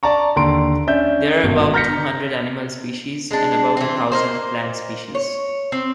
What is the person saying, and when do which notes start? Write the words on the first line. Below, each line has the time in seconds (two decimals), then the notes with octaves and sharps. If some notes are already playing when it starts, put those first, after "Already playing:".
There are about two hundred Animal species, and about a thousand plant species.
0.03 D5 A5 A#5 C#6
0.36 D#2 D3 A#5 C6 D7
0.87 C#4 D4 E5 G6
1.43 G#1 B2 F#3
1.74 A#5 F6 G6 A#6 B6 C#7
3.31 G#3 D4
3.77 E3 C4
4.12 A#3 D#4 C5
5.15 C#5
5.72 C4